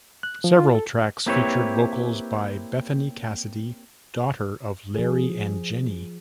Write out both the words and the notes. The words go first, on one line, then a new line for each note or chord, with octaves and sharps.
Several tracks featured vocals by Bethany Cassidy, daughter of Larry and Jenny.
F#6
F3
F4
A4
A#3 C4 E4 G4 B4 C#5
F3 G#4